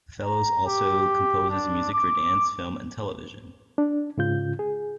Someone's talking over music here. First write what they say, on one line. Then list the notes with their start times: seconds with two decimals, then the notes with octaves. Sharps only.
Fellows also composes music for dance, film and television.
0.23 A#5
0.66 G4
1.50 D4
1.93 D6
3.78 D4
4.18 G#2 C#3 F4 G6
4.59 G#4